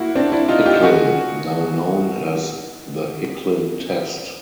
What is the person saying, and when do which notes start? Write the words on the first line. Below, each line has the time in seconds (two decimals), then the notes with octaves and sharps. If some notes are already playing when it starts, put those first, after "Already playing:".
Hicklin., now known as the Hicklin test.
Already playing: A#3 E4 F#4
0.15 C4 D4
0.32 D4 E4
0.48 D#4 F4
0.66 F4 G4
0.83 F#4 G#4